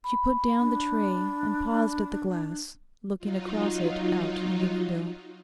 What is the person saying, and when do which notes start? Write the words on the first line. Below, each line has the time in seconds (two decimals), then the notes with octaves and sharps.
She put down the tray, and paused at the glass, looking across it out of the window.
0.04 B5
0.59 D4
3.19 F#3 D#4 F4